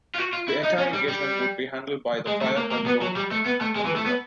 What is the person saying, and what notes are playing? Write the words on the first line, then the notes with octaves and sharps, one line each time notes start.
The entire engagement would be handled by the fire control computer.
F4
F#4
F4
E4
D#4
C#4
G3
G3
G#3
A3
A#3
A#3
B3
F#3
G3
A3
B3
A3
G#3
E3
A3
B3